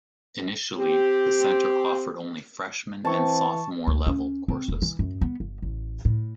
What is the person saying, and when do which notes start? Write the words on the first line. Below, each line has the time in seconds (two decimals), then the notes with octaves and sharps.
Initially, the Center offered only freshman and sophomore-level courses.
0.78 C4 G4
3.05 E3 C4 A5 C#6
3.87 D2
4.07 C#4
4.48 C4
4.68 E1
4.82 E3
4.99 F#2
5.21 B3
5.40 G1
5.62 A1
6.05 A2